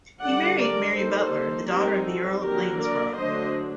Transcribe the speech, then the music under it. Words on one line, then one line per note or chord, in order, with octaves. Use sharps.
He married Mary Butler, the daughter of the Earl of Lanesborough.
D3 G3 D4 D5 F#5
A#4 D5
G3 A#3 D#4 A4 C5
G3 C4 D#4 G4 A#4
F#4 A4
D3 F#3 A#3 D4 G4 A#4
A#4 D5
D3 F#3 A3 D4 C5 D#5